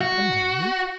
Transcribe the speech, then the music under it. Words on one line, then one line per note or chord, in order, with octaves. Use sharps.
"And then?"
F#4